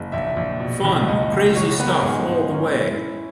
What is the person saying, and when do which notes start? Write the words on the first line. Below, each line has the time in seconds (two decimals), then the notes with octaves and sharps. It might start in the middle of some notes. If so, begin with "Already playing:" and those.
Fun, crazy stuff all the way.
Already playing: F#1
0.12 A#1 E5
0.37 A#1
0.60 B2
0.84 F#1
1.08 C#2 D#5
1.32 C#2
1.55 F#3 C#5
1.79 B3 B4
1.87 A#4
2.03 G#2 G#4
2.26 G#2
2.50 C#4 A#4
2.73 E4
2.98 E4